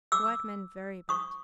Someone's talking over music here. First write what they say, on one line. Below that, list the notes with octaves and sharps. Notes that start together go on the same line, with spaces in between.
White man very bad.
D6 E6
C#6 D#6